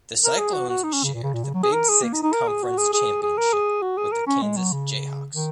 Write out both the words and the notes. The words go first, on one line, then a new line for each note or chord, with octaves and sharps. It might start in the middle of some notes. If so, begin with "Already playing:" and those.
The Cyclones shared the Big Six conference championship with the Kansas Jayhawks.
A#4
G#4
F#4
F#4
D#4
C#4
C#3
A#2
C#3
A#2
C#3
F#3
G#4
A#4
G#4
A#3
D#4
D#4
A#4
G#4
F#4
G#4
G#4
G#4
A#4
G#4
F#4
G#4
A#4
C#4
G#3
F#3
C#3
D#3